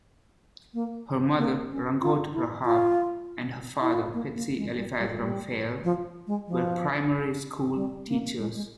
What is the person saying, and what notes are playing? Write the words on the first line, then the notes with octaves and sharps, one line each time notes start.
Her mother, Rangoato Rahab, and her father, Pitsi Eliphaz Ramphele were primary school teachers.
A#3
A#3
C#4
F4
E4
F4
E4
F4
A#3
A#3
G#3
G3
G3
F3
G3
F3
G#3
F3
G3
A#3
G#3
G#3